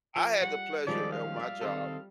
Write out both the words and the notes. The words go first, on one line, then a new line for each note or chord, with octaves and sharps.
I had the pleasure at my job
F3
G3 F#5
D#3 F3 G3 G#3 C#4 D#4 D5
F5
D5 E5
D#3 G3 C4 A4